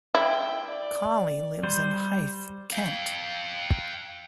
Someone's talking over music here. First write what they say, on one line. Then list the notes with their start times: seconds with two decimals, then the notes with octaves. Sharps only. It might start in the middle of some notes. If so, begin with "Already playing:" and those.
Colley lives in Hythe, Kent.
0.15 E4 G5
0.68 D5
1.63 G3 C5
2.73 F5 G5